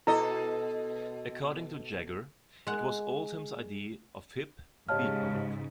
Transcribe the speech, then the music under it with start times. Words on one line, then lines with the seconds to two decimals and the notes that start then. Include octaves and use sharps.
According to Jagger, it was Oldham's idea of hip, Beat poetry.
0.07 B2 E4 A4 D#5
2.67 G#3 F#5
4.89 G#2 C#3 G4 C#5 D#5 F5 A5 F6